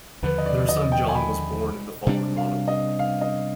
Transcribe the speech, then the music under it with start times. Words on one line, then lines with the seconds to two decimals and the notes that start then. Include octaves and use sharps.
Their son John was born in the following autumn.
0.23 D#2 D3 F3 B4
0.38 D#5
0.46 D5
0.68 D#5
0.92 G5
1.08 G#5
1.15 B5
2.06 C3 G3 D4
2.37 F5
2.68 D#5
2.99 F5
3.21 D#5